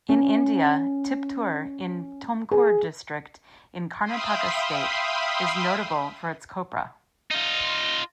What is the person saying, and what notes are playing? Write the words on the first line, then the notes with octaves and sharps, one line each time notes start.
In India, Tiptur in Tumkur district in Karnataka state is notable for its copra.
C#4
G#4
E5 F5 G5 B5 C6 D#6
D#4 F4